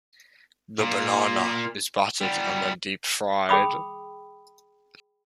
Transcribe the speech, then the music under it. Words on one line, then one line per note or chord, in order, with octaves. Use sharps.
The banana is battered and then deep fried.
A#2 A#3
G3 B3
G#4 G5 B5 D#6